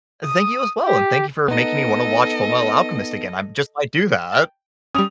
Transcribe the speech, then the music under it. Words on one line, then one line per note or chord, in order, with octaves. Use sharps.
Thank you as well and thank you for making me wanna watch Fullmetal Alchemist again, I just might do that.
D#6
G4
B3 D#4 A4 D#5
G5 A5
G3 C#4 D#6 F7